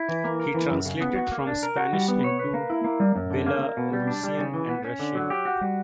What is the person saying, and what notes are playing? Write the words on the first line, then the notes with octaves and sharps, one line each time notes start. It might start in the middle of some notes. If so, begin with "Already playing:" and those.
He translated from Spanish into Belarusian and Russian.
Already playing: E4
E3
A#3
A#4
E3
F#2
C#3
B3
F#4
A#3
D4
A#4
F#4
G3
B3
C#5
B4
A#3
E4
A#3
G3
F#2
D3
A#3
A#3
B2
G3
D4
G3
C#3
E3
B3
C#4
D3
F#3
G4
F#4
G3